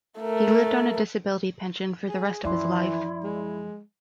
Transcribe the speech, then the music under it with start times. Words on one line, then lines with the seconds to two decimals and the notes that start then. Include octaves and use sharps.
He lived on a disability pension for the rest of his life.
0.20 A3 A#4
2.09 G#4
2.44 F#2 E3 F3 E4 D5 E5 C6
3.24 G#3